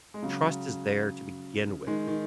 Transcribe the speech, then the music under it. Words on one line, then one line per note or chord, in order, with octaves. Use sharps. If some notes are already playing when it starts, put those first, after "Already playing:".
trust is there to begin with,
G#3
C#3 F#3
D#3 G#3
D#3